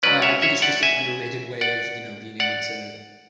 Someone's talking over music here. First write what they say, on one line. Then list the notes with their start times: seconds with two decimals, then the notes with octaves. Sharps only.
Uh, I think it's just an underrated way of, you know, being able to
0.03 G#2 F#3 C#4 B4 D5
0.22 C#5 E5
0.42 C#5 E5
0.62 D5 F#5
0.83 E5 G#5
1.61 D5 F#5
2.40 D5 F#5